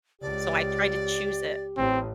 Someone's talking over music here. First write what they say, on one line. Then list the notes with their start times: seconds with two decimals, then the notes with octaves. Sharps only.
so, I try to choose it.
0.21 C#2 G4 D5
1.77 A1 C4